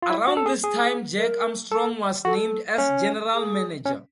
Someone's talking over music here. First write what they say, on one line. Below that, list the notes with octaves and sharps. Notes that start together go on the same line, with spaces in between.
Around this time Jack Armstrong was named as general manager.
F4
E4
F#4
A4
G#4
G#4
A#4
A4
F#4 A4
C#4
G#4
C#4